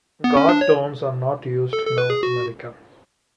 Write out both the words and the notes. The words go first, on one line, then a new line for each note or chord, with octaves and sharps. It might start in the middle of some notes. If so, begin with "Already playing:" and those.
Guard tones are not used in North America.
B3
C#4
D4
C#5
A4
A4
B4
G#4
F#4